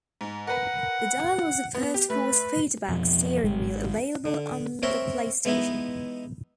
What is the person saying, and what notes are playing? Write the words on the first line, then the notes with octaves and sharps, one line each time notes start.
The dial was the first force feedback steering wheel available on the PlayStation.
G#2
A#4 B4 F#5
B3
G4
A3 B4
F2 B2 F3
G#1 G#3
D3
C4 A#4 C#5 E5 C6
E3 G#3 B3 D#4 E4